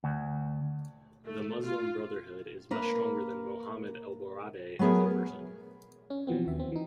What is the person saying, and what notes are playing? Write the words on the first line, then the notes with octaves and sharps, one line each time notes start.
The Muslim Brotherhood is much stronger than Mohamed ElBaradei as a person.
D2
A3
F4
A#3 A#4 B4
F#3 A3 B3 G#4 A#4
C#4
B2 E3 F3 B3 C4
D#2 E5
C4
E3 D#4